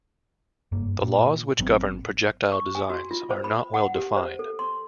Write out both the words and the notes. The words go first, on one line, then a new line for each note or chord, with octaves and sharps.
The laws which govern projectile designs are not well-defined.
F#1 G2 A#3
A#2
G#1 F#3 B3 C4
C#6
G#5
F#4
F4
C5
B5
F#5
G4
C5
A4
C6